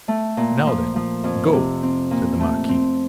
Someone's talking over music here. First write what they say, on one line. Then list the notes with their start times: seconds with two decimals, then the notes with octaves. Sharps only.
"Now, then, go," said the marquis.
0.08 A3
0.37 A#2
0.67 F3
0.96 F3
1.24 F2
1.53 C3
1.83 C4
2.11 A#2
2.40 A3
2.69 C4